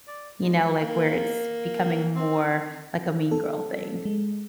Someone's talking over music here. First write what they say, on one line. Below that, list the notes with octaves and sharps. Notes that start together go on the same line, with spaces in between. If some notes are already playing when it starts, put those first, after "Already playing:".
you know? Like, where it's becoming more like a mean girl thing.
D5
G#3
A#3
C4
A4
G#3